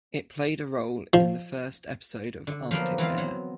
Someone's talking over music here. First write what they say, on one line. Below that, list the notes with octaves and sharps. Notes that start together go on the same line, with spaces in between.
It played a role in the first episode of "Arctic Air".
F3
D3
F3 F#3 A#3 B3
E3 B3 C4 F5
F#3